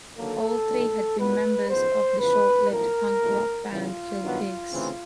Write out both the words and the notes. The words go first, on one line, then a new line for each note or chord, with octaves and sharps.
All three had been members of the short-lived punk rock band Kill Pigs.
D#2 D3 F#3 A#3 A4
A#1 G#2 D#3
C2 A#2 G3 B3 B4
A1 G#2 F3 G#3 B3 C5
E2 C#3 F3 B4
B1 A2 F3 A#4
B1 A#2 F#3 A3
E2 C#3 E3 F4
G2 D#3 F#3 B3
D2 C#3 E3 A3 C4